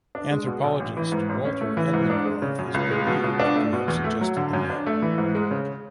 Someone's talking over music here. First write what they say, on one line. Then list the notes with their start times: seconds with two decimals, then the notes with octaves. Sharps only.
Anthropologist Walter Edmund Roth is believed to have suggested the name.
0.15 D4
0.31 G#3
0.47 B2
0.64 B1
0.80 A1
0.97 E3
1.12 G#2
1.29 A1
1.45 C#4
1.61 A3
1.77 E3
1.94 G#2
2.10 D4
2.25 G#3
2.42 C#3
2.59 F#2
2.74 C#2
2.91 G#3
3.07 B2
3.24 C#2
3.40 D4
3.55 A3
3.73 B2
3.88 E2
4.04 A3
4.21 F#3
4.37 D3
4.53 F#2
4.70 D4
4.86 A3
5.02 E3
5.18 G#2
5.35 G#3
5.51 C#3